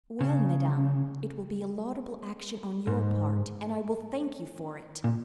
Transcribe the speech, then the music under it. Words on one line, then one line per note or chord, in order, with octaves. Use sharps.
"Well, madame, it will be a laudable action on your part, and I will thank you for it!"
C#3
G#2
A#2